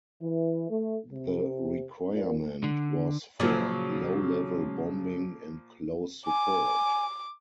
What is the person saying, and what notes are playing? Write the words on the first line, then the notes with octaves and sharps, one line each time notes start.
The requirement was for low-level bombing and close support.
E3
A3
C3
A#2
D3
A#2 C#3 F3 F#3
G#5 D6